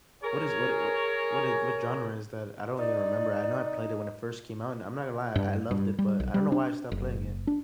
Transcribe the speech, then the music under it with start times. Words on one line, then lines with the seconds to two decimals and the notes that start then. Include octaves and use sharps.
What is what what what is what genre is that? I don't even remember, I know I played it when it first came out, and I'm not gonna lie, I loved it, but I don't know why I stopped playing it.
0.23 G#4 A#4 C#5
2.78 D#4 D5
5.36 G2
5.71 G2
5.99 G3
6.20 B1
6.34 G3
6.52 D4
6.92 F#1
7.47 D4